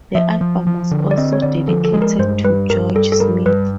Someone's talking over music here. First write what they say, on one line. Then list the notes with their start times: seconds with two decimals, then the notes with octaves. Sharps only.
The album was also dedicated to George Smith.
0.15 F3 E5
0.41 F3
0.67 F3
0.91 D3
1.11 D5
1.18 C4 D#5
1.33 C#5
1.42 D3 D5
1.68 F3 A4
1.85 A4
1.93 G#3
2.02 A#4
2.19 G2 C5
2.44 G3 B4
2.70 G2 A#4
2.95 G2 A4
3.12 A4
3.20 G3 A#4
3.46 G2 B4